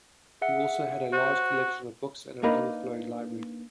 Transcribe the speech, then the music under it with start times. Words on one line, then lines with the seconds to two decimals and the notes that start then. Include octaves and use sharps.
He also had a large collection of books and an overflowing library.
0.41 G#4 E5 F#5
1.13 F#4 C5
2.43 A#3 D4 D#4 A#4 B4